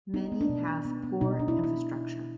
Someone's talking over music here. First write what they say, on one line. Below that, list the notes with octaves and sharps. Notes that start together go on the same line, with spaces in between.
Many have poor infrastructure.
B3 D#4
B3
D4
B2
D4
B3
B3
B2 D#4
D4
E4
B2
E4